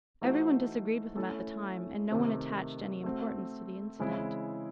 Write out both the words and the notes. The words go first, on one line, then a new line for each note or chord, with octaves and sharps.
Everyone disagreed with him at the time, and no one attached any importance to the incident.
E3 A3 D#4 F#4 C5
A3 C#4 E4 A4
C3 D#3 A3 C4
A3 C4 F#4
C#3 E3 G#3 C4 E4